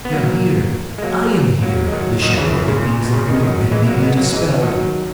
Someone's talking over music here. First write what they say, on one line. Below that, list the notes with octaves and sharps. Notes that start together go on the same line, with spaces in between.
They are here--I am here--the shadows of the things that would have been, may be dispelled.
B3
F#3 A#3
G#3
F#3 A#3
F#3 A#3
G#3
D#3 F#3
D#3 F#3
C#3 E3
C#3 E3
A#2 C#3
A#2
B2
A#2 C#3
B2 D#3
G#3
D#3 F#3
E3 G#3
F#3 A#3
G#3 B3
F#3 A#3
E3 G#3
D#3 F#3